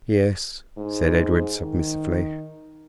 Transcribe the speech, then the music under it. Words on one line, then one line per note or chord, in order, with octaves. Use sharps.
"Yes," said Edred submissively.
G#2
D#3